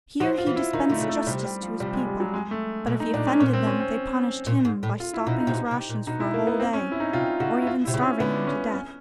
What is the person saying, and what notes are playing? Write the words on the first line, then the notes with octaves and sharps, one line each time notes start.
Here he dispensed justice to his people; but if he offended them, they punished him by stopping his rations for a whole day, or even starving him to death.
F3 F#4
F4
E3
E4
D#3 D#4
D3 A3
C#3
A3
C3 G3
G3
F3
C3 G3
G#3
G3
F#3
G#3
A3
B2
D#4
A#2 D4
C#4
A#2 C#4
C4
C#4
C4
A#2
G#2
A2
F4
E4
B2 D#4
D#4
C3
B2
C3
A#2
B2 D#4
E4
A#3
B3
C4
C#4
E4
D#4
C3 F4
C#3 F#4
E4
F4
C3 E4
C#3
C#4
D3 B3
C#4
C#4